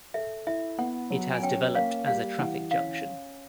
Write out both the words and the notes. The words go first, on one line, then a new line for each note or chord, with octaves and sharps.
It has developed as a traffic junction.
A4 E5
E4 E5
B3 F#5
F#3
G#5
C#4 G5
A#3 F5
G3 F5
E3 F#5
C#4 F5